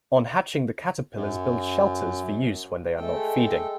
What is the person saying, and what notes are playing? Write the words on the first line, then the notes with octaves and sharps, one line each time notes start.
On hatching the caterpillars build shelters for use when they are not feeding.
F#2
G#3 A3 A4 G5